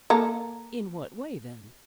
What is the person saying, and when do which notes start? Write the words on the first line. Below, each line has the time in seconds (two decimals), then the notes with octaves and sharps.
"In what way then?"
0.10 A#3 A4 A#5